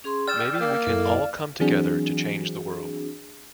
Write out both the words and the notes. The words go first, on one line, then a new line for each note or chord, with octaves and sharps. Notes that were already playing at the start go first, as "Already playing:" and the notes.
Maybe we can all come together to change the world.
C#4 G#4 C6
D5 G5 E6 F6 A6 E7
A#3
F#2 E4 A4
D5 F5
E3 F#3 C4 D4 F#4 G#4